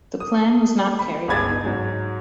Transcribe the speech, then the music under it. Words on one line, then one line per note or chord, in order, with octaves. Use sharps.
The plan was not carried out.
D#6
B5
G1 C#2 G#4 B5 G#6 A6
D#4
G#2 F#3 G#3